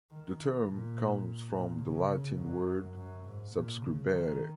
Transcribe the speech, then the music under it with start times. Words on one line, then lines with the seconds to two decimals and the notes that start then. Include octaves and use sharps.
The term comes from the Latin word "subscribere".
0.11 D#3
0.68 A#2
1.53 A#2
1.82 C#3
2.10 C#3
2.39 F#2
2.96 F#2
3.25 G#2
3.53 A#2
3.81 C#3
4.10 D#3